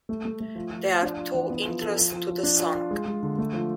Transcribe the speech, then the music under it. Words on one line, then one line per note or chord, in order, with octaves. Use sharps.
There are two intros to the song.
A3
A3
A3
F3
F3
F3
D4
F4
E3
B3
F3
A4
F3
F3
F3
D4
F4
F4
G#3
G#3
D3
A3
F3